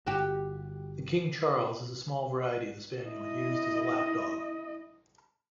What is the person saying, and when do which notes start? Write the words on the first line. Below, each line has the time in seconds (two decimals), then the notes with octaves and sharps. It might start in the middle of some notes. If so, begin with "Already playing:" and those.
The King Charles is a small variety of the spaniel used as a lapdog.
0.07 G1 F#4 G4
3.06 E4 D#5